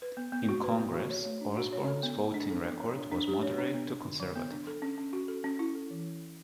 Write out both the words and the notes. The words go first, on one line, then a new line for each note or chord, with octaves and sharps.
In Congress, Osborne's voting record was moderate to conservative.
B4
B3
B3
F#4
B4
B3
F#4
C#5
A3
D4
F#4
C#5
A4
B3
B3
D4
A4
B3
C#5
D4
D4
G4
C#5
D4
B3
D4
D3
F#3
B3
D4
A4
C#4
C#4
F#4
A4
C#4
E4
A4
E3